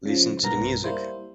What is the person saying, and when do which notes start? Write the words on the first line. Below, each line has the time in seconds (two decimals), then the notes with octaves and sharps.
Listen to the music...
0.06 C#3 F3
0.43 B1 G2 B3 A#4 A#5 A#6
0.84 G3 A#3 E4 C5